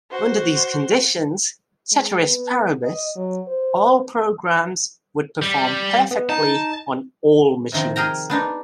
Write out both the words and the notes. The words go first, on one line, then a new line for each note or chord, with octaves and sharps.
Under these conditions, ceteris paribus, all programs would perform perfectly on all machines.
F#4 C5
G#3
B3
D#5
F#3
C5
G3
B3
D#4 A5
C3 D#3 F3
G#4 A#4 G5 A#5
B3 D4 D#4